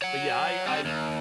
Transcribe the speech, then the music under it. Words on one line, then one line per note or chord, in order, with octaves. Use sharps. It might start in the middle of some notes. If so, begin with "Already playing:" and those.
but, yeah, I I
C#5 F#5
G3 C4
D#2